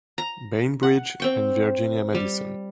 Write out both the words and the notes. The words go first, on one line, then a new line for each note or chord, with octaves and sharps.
Bainbridge and Virginia Madison.
A#5
F#5
C4 G5 C#6
G3